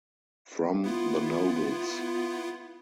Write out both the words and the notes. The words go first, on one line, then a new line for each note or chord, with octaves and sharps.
From the nobles.
B3 E4 F4